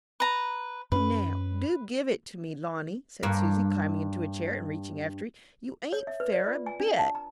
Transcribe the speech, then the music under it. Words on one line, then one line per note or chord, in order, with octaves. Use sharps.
"Now, do give it to me, Lonnie," said Susy, climbing into a chair, and reaching after it; "you ain't fair a bit."
B4 A#5
F#2 B3 C#4 B4
G2 A#3
C#5
E5
B4
D5
F4
G#5
D4
A5
A#5